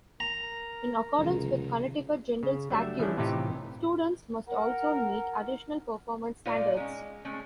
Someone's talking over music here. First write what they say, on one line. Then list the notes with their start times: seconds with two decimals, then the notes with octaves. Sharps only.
In accordance with Connecticut General Statutes, students must also meet additional performance standards.
0.20 A#4 A#5
1.19 C#2 C3 D#3 F3
2.43 C#3
2.70 F#3 G3 A3 D4 E5
2.99 E3 F3 G3 A3 C#4 D4
3.18 A2 C3 E3 D#4 F4 G4
4.48 A#4 F#5
6.46 A#2 D#4 F4 D5 F5
6.77 G#3 C#4
7.25 G#3 A3 C#4